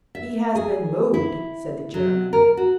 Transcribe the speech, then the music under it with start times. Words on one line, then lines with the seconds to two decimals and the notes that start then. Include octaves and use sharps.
"He has been moved," said the German.
0.15 E5
0.55 G#4
1.14 E4
1.94 F#3
2.33 A#4
2.57 F#4